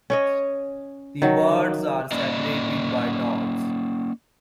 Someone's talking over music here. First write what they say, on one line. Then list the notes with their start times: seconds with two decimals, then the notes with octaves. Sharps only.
The words are separated by dots.
0.10 C#4 C#5 D#5
1.22 D#3 F#3
2.12 A#3 C#4 D5 D#5